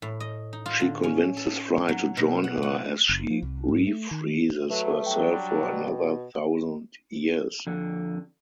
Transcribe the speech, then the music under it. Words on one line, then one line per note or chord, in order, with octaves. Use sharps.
She convinces Fry to join her as she re-freezes herself for another thousand years.
A2
D#5
D#4
F4
D3
C#4
A4
F#3
B2
F#5
F#5
F#1
F3
C2
G#2
A3
D#3
F#3 A3 B4
F#3 G3 D4 G5
B2
F2 D3